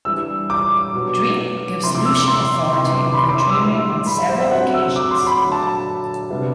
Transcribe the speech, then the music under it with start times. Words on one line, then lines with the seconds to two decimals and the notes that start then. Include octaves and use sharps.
Dream gives Lucien authority over the Dreaming on several occasions.
0.05 E3 G3 D4 E6
0.50 D6
0.94 B2 F#3 B3 D4
1.84 C3 E3 A3 D4 C6
1.95 D6
2.05 E6
2.17 D6
2.28 C6
2.73 C3 E3 B3 D4 C6
2.95 D6
3.13 B5
3.17 C6
3.29 D6
3.40 C6
3.50 E6
3.62 E3 G3 D4 C6
4.06 B5
4.19 E5
4.29 C5
4.40 E5
4.51 D3 F#3 C4 F#5
4.74 E6
4.96 D6
5.11 C6
5.27 B5
5.41 D3 F#3 A3
5.52 A5
5.63 A5
6.30 C3 G3 B3 D4